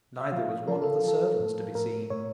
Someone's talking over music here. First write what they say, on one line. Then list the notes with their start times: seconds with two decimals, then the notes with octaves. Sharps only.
Neither was one of the servants to be seen.
0.21 E5
0.32 F3 F5
0.68 F3 A#4
0.82 A4
1.04 F3 A4
1.40 A2
1.75 A2 A#4
2.10 A2 C#5